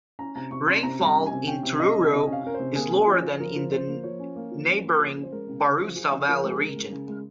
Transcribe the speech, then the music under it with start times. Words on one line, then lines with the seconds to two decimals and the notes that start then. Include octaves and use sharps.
Rainfall in Truro is lower than in the neighbouring Barossa Valley region.
0.19 C#4 A#5
0.35 C3 A#5
0.51 C3 C#6
0.67 C#4 C6
0.83 C3 A#5
0.99 G3
1.05 A#5
1.15 C#4
1.26 C3 G#5
1.47 C#4 G5
1.63 C3
1.79 C#4 D#5
1.95 C3
2.11 C3 D#5
2.27 C#4
2.32 F5
2.43 C#4 A#4
2.54 C3 C5
2.75 A#3 G#4
2.91 C#4
3.07 F3
3.24 F3
3.40 F3 A#4
3.56 F3
3.71 F3 C5
3.87 A#3
4.03 F3 C#5
4.19 C#4
4.36 A#3
4.51 F3
4.68 C#4
4.84 A#3
4.99 F3
5.15 C#4
5.23 C5
5.31 G#3 A#4
5.48 C#3
5.64 C#3
5.80 F3
5.96 F3 G#4
6.12 C#3
6.28 F3 A#4
6.44 G#3
6.50 G#4
6.60 C#3 A#4
6.76 G#3
6.92 C#3
7.08 G#3